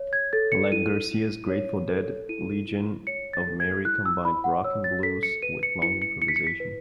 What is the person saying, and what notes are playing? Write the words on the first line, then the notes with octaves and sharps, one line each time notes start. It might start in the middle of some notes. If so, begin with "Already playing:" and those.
Like Garcia's Grateful Dead, Legion of Mary combined rock and blues with long improvisation.
Already playing: C#5
G#6
A4 A6
C#7
E4 D#7
E4
C#5
A4
E4 D#7
E4
C#5 C#7
A6
A4
G#6
E4 F#6
E6
E4 B5
F#5
C#5 E6
A6
A4 B6
C#7
B4 D#7
C#7
E4 C#7
C#7
E4 C#7
B6
C#7
B6
B4